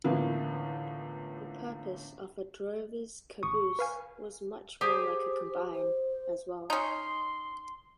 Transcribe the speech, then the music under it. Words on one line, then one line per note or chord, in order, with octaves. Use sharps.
The purpose of a drover's caboose was much more like a combine, as well.
C#2 A2 D3 E3 A#3 B3
A1 C#6 D#6
B4 F5 G#5
G4 G#4 C5
C5
C#4 D#4 C6